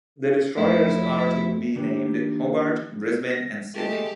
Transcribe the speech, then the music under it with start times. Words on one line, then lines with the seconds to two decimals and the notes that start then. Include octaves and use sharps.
The destroyers are to be named "Hobart", "Brisbane" and "Sydney".
0.57 F2 A3 E4
1.75 D#3 A#3 D4 G4 B4
3.30 A#6
3.74 G#3 A3 G4 A5